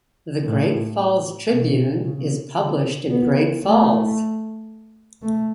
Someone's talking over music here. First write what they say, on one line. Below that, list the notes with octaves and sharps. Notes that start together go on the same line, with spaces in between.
The "Great Falls Tribune" is published in Great Falls.
A2
B2
C#3
D3
B3
A3
A3